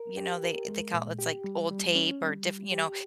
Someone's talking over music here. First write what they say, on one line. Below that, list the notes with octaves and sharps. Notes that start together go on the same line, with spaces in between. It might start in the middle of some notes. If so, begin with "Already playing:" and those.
you know, they they call it's like old tape or diff you know,
Already playing: A#4
G4
A#4
G#3
A#2
G4
G3
G3
C#4
G3
G3
G4